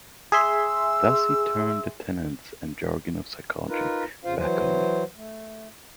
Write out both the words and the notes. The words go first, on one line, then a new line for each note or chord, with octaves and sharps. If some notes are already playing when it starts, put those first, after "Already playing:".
Thus he turned the tenets and jargon of psychology back on me.
G#4 E5 C6 E6
D#4 F4 A#4 B4
F2 C#3 F4 C5 F5
E3 F#3 C5
A3